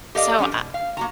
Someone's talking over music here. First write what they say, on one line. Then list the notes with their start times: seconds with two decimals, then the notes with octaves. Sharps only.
So, I
0.15 G4 A4 A#4 D5 D#5 F5
0.39 F3 C#4 D4 G4 A4
0.51 G#2 B2
0.74 F5
0.97 A#3 F#4 A#5